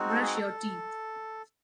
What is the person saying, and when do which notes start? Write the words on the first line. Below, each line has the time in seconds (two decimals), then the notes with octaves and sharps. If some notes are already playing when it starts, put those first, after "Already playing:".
Brush your teeth.
Already playing: G#3 C4 D#4 F#4
0.09 A4
0.21 G#4
0.34 A4